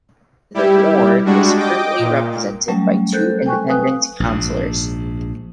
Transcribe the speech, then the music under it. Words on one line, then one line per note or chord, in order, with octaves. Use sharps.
The ward is currently represented by two independent councillors.
G3 E4 G4
G3 G#3 D4 F#4
D#5 G5 D6
A#2
F#3 G3 A3 C#4
A4 A#4 C5 F#6 G6
G5 G#5 C#6 F#6
B4 F5 G#5 D#6 F#6
A#1 G#2